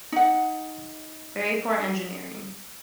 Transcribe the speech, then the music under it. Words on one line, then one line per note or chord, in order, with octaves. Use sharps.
Very poor Engineering.
D#4 F#5